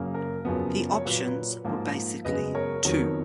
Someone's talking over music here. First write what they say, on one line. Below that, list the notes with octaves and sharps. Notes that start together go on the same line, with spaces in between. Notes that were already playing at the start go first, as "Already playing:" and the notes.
The options were basically two.
Already playing: F#2 C#3 F#3 A#3
A#4
F#2 C#3 F3 B3
C#5
A#2 F#3 A#3 B4
B4
G#2 F3 A#3
F#2 C#3 G#3 B3 B4 D#5
A#4 C#5
F2 D#3 F#3 B3 A#4 C#5